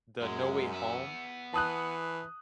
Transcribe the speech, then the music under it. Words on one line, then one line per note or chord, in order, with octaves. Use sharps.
the No Way Home.
F#2 G#3
B3 E5
E3 A5 D#6 F#6